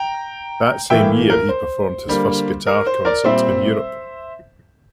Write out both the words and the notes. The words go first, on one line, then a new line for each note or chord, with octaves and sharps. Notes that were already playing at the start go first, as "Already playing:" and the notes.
That same year he performed his first guitar concert in Europe.
Already playing: G5 A#5
A2 E3 A#3 E5 G5
A#4
C5
D3 G3 A#3
A#4
C5
A#4 D5
A#2 G3 C4 C5 E5